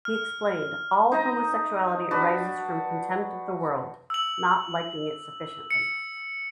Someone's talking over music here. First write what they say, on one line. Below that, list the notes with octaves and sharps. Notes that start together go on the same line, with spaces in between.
He explained: All homosexuality arises from contempt of the world, not liking it sufficiently.
F6
D#4 C5 D#5 A#5
D4 F#4 B4
E6 F#7
C#7